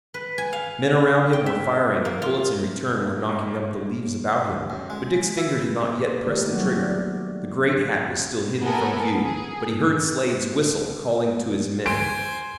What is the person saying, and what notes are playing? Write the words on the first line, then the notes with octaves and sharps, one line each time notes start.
Men around him were firing, and the bullets in return were knocking up the leaves about him, but Dick's finger did not yet press the trigger. The great hat was still hidden from view, but he heard Slade's whistle calling to his men.
B4
G#5
F5
G5
E5
A#3
F4
G#2
F#2
G#3
E4
D#3 A3 D#4 G4 D5
F#3 G3 A3 A#3 C4 F#4
B3 D5
B3 E4 A4 A#4 G#5
G#4
C5 G#5 C6 D7